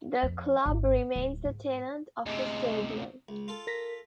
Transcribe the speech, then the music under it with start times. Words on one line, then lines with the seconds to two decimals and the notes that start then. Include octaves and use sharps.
The club remains a tenant of the stadium.
0.23 F2
0.66 G#1
1.16 D1
1.45 G#2
2.26 D2 C3 G#3
3.29 C#2
3.48 F4 A4
3.67 A#4 A#6 B6